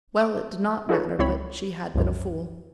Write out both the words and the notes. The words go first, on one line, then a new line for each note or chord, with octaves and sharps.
Well, it did not matter, but she had been a fool.
D6
D#4 F4 G#4 A4 B4 C#5
C#2 C4 E4 C#5 B5
C2 F#2